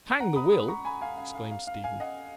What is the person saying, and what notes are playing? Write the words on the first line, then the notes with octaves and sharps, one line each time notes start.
"Hang the will!" exclaimed Stephen.
F#5 A#5
B5 D#6
B5 D#6
A#5 C#6
G#5 B5
F5 G#5
F5
F5
F5
F5
F5 G#5
D#5 F#5